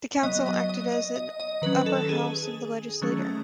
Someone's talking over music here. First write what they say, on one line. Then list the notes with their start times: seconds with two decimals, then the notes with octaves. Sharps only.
The council acted as an upper house of the legislature.
0.23 F#3 B3 D#5
0.46 D#5
0.69 D#5
0.92 D#5
1.16 D#5
1.40 D#5
1.62 D#3 F#3 C#4 B4
1.86 A4
2.09 G#4
3.02 D#3 F#3 A3 C#4